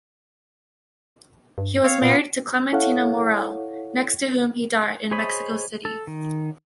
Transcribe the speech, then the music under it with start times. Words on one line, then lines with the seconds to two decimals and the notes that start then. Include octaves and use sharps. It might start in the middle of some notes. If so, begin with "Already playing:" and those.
He was married to Clementina Maurel, next to whom he died in Mexico City.
1.58 G2
1.84 C4 C#5 F5
2.02 A#2 B3 F4
2.73 E4 A4 C#5 F5 F#5
5.11 G#4 C5 C#5 D#5 B5
5.85 A4
6.07 D#3